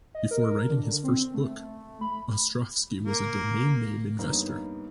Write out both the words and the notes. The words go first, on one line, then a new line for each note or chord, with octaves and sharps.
Before writing his first book, Ostrofsky was a domain name investor.
D#5
A#4
D3
C4
A3
B5
A#3
G2 A#3 B3 D#4 C#5